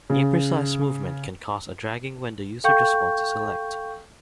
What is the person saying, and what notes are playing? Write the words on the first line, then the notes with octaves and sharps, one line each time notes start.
Imprecise movement can cause a dragging when the user just wants to select.
C#3
A4 F5 G5 C#6 G6